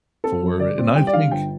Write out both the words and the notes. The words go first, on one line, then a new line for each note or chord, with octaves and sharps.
for and I think
C4 A4
F3
G1 D5
C4
G3 G5
D5
D3 F5
G1 G5